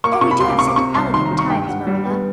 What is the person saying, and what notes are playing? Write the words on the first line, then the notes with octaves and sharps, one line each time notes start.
Oh, we do have such elegant times, Marilla.
A#3 C#6
D6
C3 C#6
B5
C#2 C6
D6
C3 C#6
D6
C3 C#6
C2 C6
D#3 C6
A#5
D#3
C#6
G2 G5
G2 F#5
G3
B3